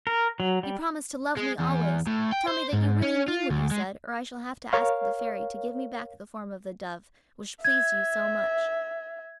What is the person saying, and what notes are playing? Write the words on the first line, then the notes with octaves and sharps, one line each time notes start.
"You promised to love me always; tell me that you really mean what you said, or I shall have to ask the Fairy to give me back the form of the dove which pleased you so much."
A#4
F#3
G3
G#3
E2
A2
G5
C5
G#2
C#4
F4
D2
G#3
A#4 C#5 F5
E5 G#6